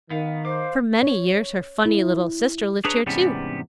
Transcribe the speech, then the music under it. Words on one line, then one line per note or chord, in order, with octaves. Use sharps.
For many years her funny little sister lived here, too.
D#3 B3 F5
C5 F5 D6
C#5
E4
D4 G#4 B4 C#5 A#5
E2 G#2 C3 G3 B3 C#4